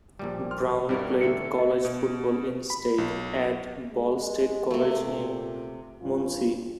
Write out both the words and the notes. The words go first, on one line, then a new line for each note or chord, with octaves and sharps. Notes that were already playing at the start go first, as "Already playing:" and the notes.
Brown played college football in state at Ball State College in Muncie.
A#1 A#2 G3
C6 F6
G2 B2 G3 E4 A#4
A2 D3 E5 C#7
D#5
B2
B5
B1
G#3
C3 A3 A#3
A#2
G2 F3 C#4 F4